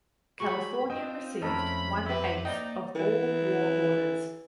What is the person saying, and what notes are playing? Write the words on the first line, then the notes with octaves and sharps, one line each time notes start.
California received one eighth of all war orders.
F#3 G#3 G4 B5 C#6
C4 F4 D#5 G5
F2 A3 C4 C#4 A4 A#4 D#5 B5
G4 B4 C5 E5
A#3 D#4 D5 D#5 G5
E3